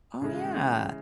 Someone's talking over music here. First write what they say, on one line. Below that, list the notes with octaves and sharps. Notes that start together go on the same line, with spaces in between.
Oh, yeah.
C#3 E3 G#3